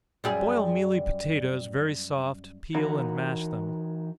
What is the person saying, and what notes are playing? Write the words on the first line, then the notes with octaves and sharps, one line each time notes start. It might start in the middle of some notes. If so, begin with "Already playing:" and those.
Boil mealy potatoes very soft, peel and mash them.
F#2 G3 G#4
E3 D#4 F#4 A#4 C#5